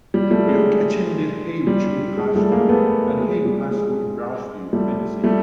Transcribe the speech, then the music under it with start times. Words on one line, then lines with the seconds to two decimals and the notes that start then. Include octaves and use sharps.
Delk attended Haywood Junior High School and Haywood High School in Brownsville, Tennessee.
0.14 G3
0.31 G3 A3
0.48 G#3
1.67 G3
2.18 G#3
2.35 G3 A3
2.52 G#3 A#3
2.69 A3 B3
3.20 G#3
3.45 G3
3.71 G#3
4.73 G3 A3
5.24 G3 A3